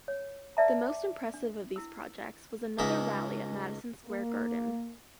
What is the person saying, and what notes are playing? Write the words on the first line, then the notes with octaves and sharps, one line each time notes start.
The most impressive of these projects was another rally at Madison Square Garden.
C#5
B4 D5 E5 A5 A#5
D6
D4
E4 E6
C#2 G#2 G#3 E5
A#3